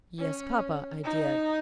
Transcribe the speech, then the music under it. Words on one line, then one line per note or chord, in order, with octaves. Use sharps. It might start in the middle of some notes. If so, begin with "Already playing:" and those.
"Yes, papa, I did."
C#4
D#4